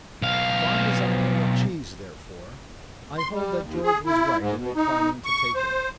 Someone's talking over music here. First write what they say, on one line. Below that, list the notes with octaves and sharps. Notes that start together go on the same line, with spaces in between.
Fond as I am of cheese, therefore, I hold that George was right in declining to take any.
B1 F5
C6
G3
D#2
G#4
E4
G#2
B2
D#4
C#6
C5